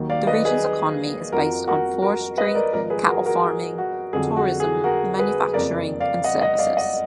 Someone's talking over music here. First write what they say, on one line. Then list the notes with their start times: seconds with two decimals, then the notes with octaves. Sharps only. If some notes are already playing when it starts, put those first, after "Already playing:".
The region's economy is based on forestry, cattle farming, tourism, manufacturing, and services.
Already playing: D#2 D#3 F#3
0.10 D5 F5
0.27 B4 D#5
0.45 G#4 B4
1.32 F2 F3 F#4 A#4
1.67 F#4 A#4
2.02 F#4 A#4
2.38 B4 D#5
2.55 A#4 D5
2.73 G#1 G#2 F3 A#4 D5
2.90 G#4 B4
3.08 F#4 A#4
3.25 F#4 A#4
3.43 G#4
3.78 F#4
4.13 F2 D3 F#3 G#4
4.37 F#4
4.60 G#4
4.84 F#4 A#4
5.19 G#4 B4
5.53 F#1 F2 F3 A#4 D5
6.00 D5 F5
6.24 D#5 F#5
6.41 D#5 F#5
6.59 D5 F5
6.77 D#5 F#5